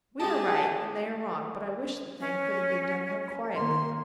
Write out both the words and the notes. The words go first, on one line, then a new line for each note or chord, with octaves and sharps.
We are right and they are wrong, but I wish the thing could have been done more quietly.
G#3 D#4 E4 G4 G#4 A5
C#4 C#5
D#3 A#3 C6